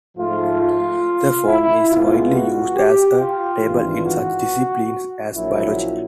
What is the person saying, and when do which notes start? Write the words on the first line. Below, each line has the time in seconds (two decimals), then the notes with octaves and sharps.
The form is widely used as a table in such disciplines as biology.
0.17 G#2 F3 A3 F4
0.60 F4
1.46 E4
1.89 C#2 B2 G#3 B3 F4
2.33 F#4
2.76 G4
3.19 F4
3.62 G#1 G2 E3
4.06 F#4
5.34 A#1 A#2 F#3 A#3 E4